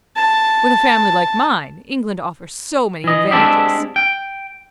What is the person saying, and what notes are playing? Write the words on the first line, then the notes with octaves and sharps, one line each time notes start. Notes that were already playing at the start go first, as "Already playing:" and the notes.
With a family like mine, England offers so many advantages.
A5
E3 D#5
G#3 C4 D4 E4 G4
G5